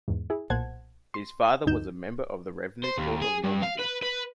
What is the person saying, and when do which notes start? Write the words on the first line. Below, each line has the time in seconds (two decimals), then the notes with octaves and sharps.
His father was a member of the revenue court of Normandy.
0.08 E2 G#2
0.30 E4 G#4
0.50 B1 A#2 C5 F#5 A5 G#6
1.14 C6
1.66 D2 G2 D#4 G6 E7
2.84 C5
2.98 D#2
3.22 G#4
3.44 G2
3.62 F5
3.79 B4
4.02 B4